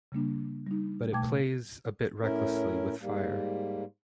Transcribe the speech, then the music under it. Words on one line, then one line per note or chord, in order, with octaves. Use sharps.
But it plays a bit recklessly with fire.
C#3 G3 A#3 D4
G3 D#4
B2 A3 G5 A5 D6 G#6
A2 C#4 E4 A#4
G#2 G3 A#3